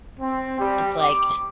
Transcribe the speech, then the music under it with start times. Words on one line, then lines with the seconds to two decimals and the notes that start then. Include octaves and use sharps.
it's like
0.20 C4
0.59 G3
1.00 D6